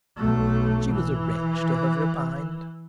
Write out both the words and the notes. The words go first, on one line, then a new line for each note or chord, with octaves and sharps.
She was a wretch to have repined.
B1 A3
E3